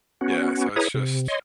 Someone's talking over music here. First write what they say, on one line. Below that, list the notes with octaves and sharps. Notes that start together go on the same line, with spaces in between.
Yeah, so it's just
B3 C#4 F#4
E4 G#4 B4 C#5 A#5 D#6
C3
C#5 D#5 C6